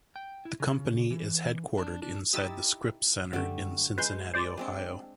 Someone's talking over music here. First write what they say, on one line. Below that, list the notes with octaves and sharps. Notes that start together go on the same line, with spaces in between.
The company is headquartered inside the Scripps Center in Cincinnati, Ohio.
G5
E4
C#3
E3
D4
D4
D#4 E4 G4 D#6 E6 A6
F#2 D3 G3 A3
G#3 B4 G#5 C6 G6
C5 D5 A6
G#3 C4 D4